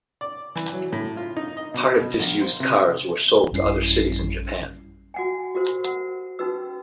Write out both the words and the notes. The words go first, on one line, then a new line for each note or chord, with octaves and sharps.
Part of disused cars were sold to other cities in Japan.
D5
E3
F#3
A2
F4
D#4
D#5
B2
B2
A#1
C5
C3
A1 F#2 G3 C#4 E4 C7
F#4 F#5 G#5
F#4 G4 A#4 C5
A#4 F#5
C#4 D#4 F#4 G4 B4 E6